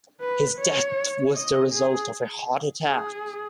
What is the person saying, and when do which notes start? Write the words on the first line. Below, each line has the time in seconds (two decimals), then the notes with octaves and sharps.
His death was the result of a heart attack.
0.21 B4
0.59 C#5
1.35 D#5
1.73 G#4
2.86 G#4